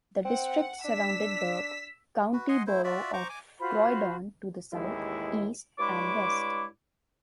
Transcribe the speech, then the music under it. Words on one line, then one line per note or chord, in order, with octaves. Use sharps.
The district surrounded the County Borough of Croydon to the south, east and west.
C4 F#5
D4 E6 B6
F#4 B4
D#5 F#5 G#5 C6
A3 E4 C5
F4 F#4 D5 E5
C5 A#5 C#6 D6
G#5 D6
F4 F#4 C5 B5
A1 D#2 G#3 E4
G2 G#3 E4 C#5 D6